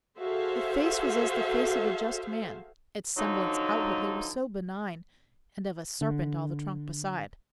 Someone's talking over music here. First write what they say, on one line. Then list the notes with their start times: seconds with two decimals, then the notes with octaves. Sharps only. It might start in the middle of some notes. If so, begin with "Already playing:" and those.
The face was as the face of a just man, Its semblance outwardly was so benign, And of a serpent all the trunk beside.
0.18 F#4 G#4 A4 C5 E5 F5
3.17 D3 F3 F#3 D#4
6.01 D3